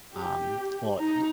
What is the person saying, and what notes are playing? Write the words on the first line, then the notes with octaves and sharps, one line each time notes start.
Um, well, D
G4
D#4 A#5